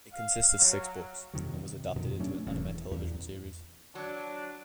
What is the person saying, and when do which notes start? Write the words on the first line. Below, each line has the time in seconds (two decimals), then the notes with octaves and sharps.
It consists of six books, and was adapted into an anime television series.
0.12 F5
0.58 F#3
1.34 F2 C3 D#3 F#3
1.95 F2 B2 D#3 F3
2.20 F#3 A3 C#4 D4
2.46 D#1 E2 B2 C#4
2.91 E2
3.95 F#3 D4